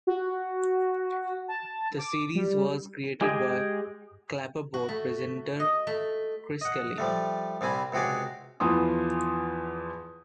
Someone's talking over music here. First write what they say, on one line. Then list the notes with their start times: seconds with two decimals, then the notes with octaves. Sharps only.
The series was created by "Clapperboard" presenter Chris Kelly.
0.07 F#4
1.48 A5
1.98 D6
2.35 G3
3.21 G#3 G4 G#4 D#5 G5
4.74 F#4
4.89 A3
5.60 D#5
5.87 A3
6.61 D#5 F#5
6.98 F3 G3 A3
7.61 C2 G3 C4 G#5 B5
7.92 C#2 C3 F#4 G#4 D5
8.60 E2 E3 F3 B3 C6 D#6